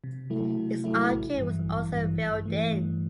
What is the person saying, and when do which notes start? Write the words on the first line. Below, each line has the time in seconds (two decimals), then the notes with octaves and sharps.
Its arcade was also filled in.
0.04 C3
0.30 F#3 A3 E4
0.57 C3
0.84 F#3 A3 E4
1.10 A1
1.38 G2 E3
1.65 A1
1.91 G2 E3
2.18 G2
2.46 E3 A3
2.72 G2